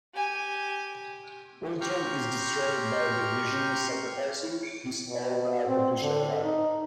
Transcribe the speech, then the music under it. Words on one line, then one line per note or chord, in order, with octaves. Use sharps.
Ultron is destroyed by the Vision, sacrificing his own artificial life.
G4 G#5
G4 G5 A#5 C6 C#6 F6
B2
C4
D3
D#4